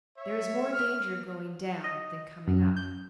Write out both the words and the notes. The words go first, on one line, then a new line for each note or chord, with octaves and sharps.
There is more danger going down than coming up.
C#5 E5
F6
D#5
F#2
G6